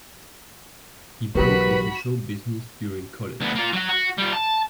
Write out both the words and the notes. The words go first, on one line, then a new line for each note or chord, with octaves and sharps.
He broke into show business during college.
B1 E3 F#3 F#4 G4 A#4 B4 B5
D2 B3
A#3 F4
F#3 F#4
F#4
G3 F4
A5